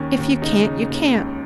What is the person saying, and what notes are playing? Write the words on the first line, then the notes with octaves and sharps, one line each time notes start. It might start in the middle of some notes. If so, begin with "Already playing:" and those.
If you can't, you can't.
Already playing: D#2 D#3 C#4
D#2
C#3 D#4
C#3
D#2
C#2